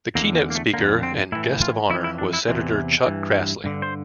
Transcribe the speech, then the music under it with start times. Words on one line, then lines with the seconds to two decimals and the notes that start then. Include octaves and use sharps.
The keynote speaker and guest of honor was Senator Chuck Grassley.
0.15 E2 D3 A#3
0.35 A#3
0.50 A#3
0.55 A3
0.74 F2 D3 A#3
1.03 C4
1.32 A2 E3 E4
1.62 F4
1.90 F2 E3 E4
2.04 E4
2.18 D4
2.33 E4
2.48 E2 C3 E3
3.06 G2 E3
3.64 G2 D3
3.82 C5